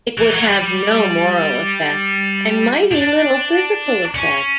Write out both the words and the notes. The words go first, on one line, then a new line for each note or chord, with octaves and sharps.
It would have no moral effect and mighty little physical effect.
E3
F#3
G3
D4
C#4